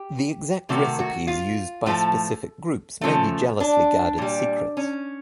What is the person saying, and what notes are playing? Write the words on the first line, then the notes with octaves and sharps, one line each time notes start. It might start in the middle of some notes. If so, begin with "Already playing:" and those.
The exact recipes used by specific groups may be jealously guarded secrets.
Already playing: G4
C3 D#3 F#3 A3 F#4
F#4
F4
A2 F3 A3
C#3 F3 A3
D4
A#2 G3
C#4